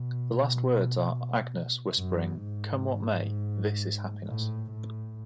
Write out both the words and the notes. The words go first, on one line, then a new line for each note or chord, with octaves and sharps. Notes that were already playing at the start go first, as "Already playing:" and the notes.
The last words are Agnes whispering, Come what may, this is happiness.
Already playing: B2
F#2
G#2
A2
A2